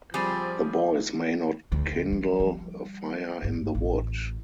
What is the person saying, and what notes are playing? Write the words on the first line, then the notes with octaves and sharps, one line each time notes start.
The boys may not kindle a fire in the wood.
F3 G3 C4 G#4 D5
D2 D3
F3 G#3
F3 G3
G1 G#2
A1 A2